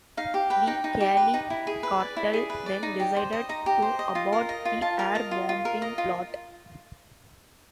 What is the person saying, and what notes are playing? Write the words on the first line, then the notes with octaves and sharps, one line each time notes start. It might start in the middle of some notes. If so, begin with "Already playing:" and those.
The Cali Cartel then decided to abort the air bombing plot.
D#4 F5
G4
B4 G5
D#4 G5
D#4
G4
B4
D#4
E4
G#4
B4
D5
E4
G#4
B4
D5
D#4
G4
C5
D#5
D#4 A#5
G4
C5
D#5
F4
A#4
D#5
F4
F4 A5
A#4
D#5
F4
F4
A#4
D#5
F4